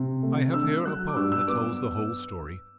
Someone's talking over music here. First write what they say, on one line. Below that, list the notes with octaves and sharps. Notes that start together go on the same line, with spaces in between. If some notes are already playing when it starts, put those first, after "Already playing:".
I have here a poem that tells the whole story.
Already playing: C3
A3
D4 E6
F#3 F#6
D6
G2 E6
E6
B3 D6